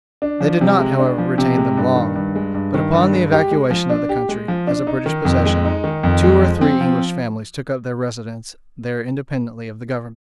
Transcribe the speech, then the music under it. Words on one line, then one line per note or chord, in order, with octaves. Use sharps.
They did not, however, retain them long; but, upon the evacuation of the country as a British possession, two or three English families took up their residence there independently of the Government.
D4
F3
C3
G#3
D4
F3
C3
G#3
G2
D#3
G2
G#3
G2
D#3
G2
G#3
G4
G#3
F3
D4
G4
G#3
F3
D4
D#4
D#3
F2
G#3
D#4
D#3
F2
G#3
F3
C4
F3